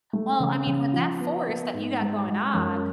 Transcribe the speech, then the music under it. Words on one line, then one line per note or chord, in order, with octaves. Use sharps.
Well, I mean, with that forest that you got going on,
A3
C#3
C#3
F3
B3
B3
G#2
G#3
G#3
F#2